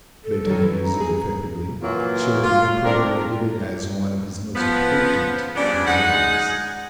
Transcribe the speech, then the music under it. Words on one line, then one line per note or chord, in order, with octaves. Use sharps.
Beethoven used it effectively. Chopin appropriated it as one of his most potent auxiliaries.
A4
D#3 F#3
E3
A#5
G#4
A#2 E3 F#3 A#3 F4
F4
A3 C4 D4 A4 A#4 D5
F3 B3
G2 C#3 F3 B3 D4 D5
G#3 D#4 G#4 F#5